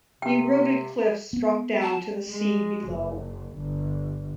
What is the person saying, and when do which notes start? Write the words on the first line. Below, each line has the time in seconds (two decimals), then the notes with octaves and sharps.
Eroded cliffs drop down to the sea below.
0.22 C3 G5
1.33 B3
1.82 A5
2.31 G#3
2.89 F#1
3.56 G1